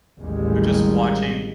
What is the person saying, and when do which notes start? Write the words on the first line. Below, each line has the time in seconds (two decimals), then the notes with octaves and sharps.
They're just watching
0.20 A1 D#2 A2 G3 G#3